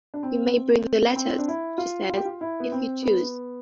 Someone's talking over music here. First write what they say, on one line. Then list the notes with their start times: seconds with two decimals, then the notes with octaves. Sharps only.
"You may bring the letters," she says, "if you choose."
0.14 D4
0.23 C4
1.16 C4
1.38 D4
1.48 E4
1.78 F4
2.09 F4
2.17 G4
2.25 F4
2.41 E4
2.60 B3
2.72 C4
3.02 B3